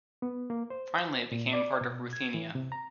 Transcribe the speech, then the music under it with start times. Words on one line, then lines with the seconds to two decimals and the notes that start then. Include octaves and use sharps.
Finally it became a part of Ruthenia.
0.22 B3
0.50 A#3
0.70 C5
1.32 A#2
1.53 D5
1.81 B2
2.13 G#6
2.34 E3
2.55 C3
2.72 A#5